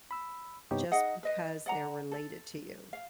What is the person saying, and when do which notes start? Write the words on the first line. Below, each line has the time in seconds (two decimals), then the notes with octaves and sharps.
just because they're related to you.
0.11 B5 E6
0.71 G2 C3 B3 D#4 G4 C#5
0.91 D#4 G#4 D#5 F#5
1.23 B4 D#5
1.66 D5 F#5 A#5
2.11 A4
2.93 F5